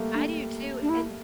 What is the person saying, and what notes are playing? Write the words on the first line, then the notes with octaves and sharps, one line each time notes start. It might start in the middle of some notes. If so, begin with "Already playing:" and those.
I do, too, and
Already playing: G3 A3 A#3
D4
D4
E4